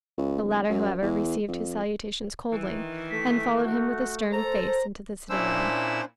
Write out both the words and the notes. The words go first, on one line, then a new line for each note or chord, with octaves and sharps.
The latter, however, received his salutations coldly, and followed him with a stern face into the sitting-room.
C#2
D1
F#2
E2
F2
D#3 E3
A3 B6
F#4
A4 A#4 C5 A#5
A#2 C#4 D4 E4 C5 E6